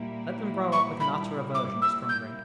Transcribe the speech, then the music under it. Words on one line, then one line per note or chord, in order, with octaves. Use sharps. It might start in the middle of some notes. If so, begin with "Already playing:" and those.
Let them grow up with an utter aversion to strong drink.
Already playing: A#2 G3 A#3 E4
C#6
B5
D6
E6
G6